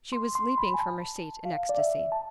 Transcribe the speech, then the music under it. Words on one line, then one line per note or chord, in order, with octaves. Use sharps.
She was leaping from her seat in ecstasy.
C6
C6
B5
G#5
A5
F5
D5
E5
A5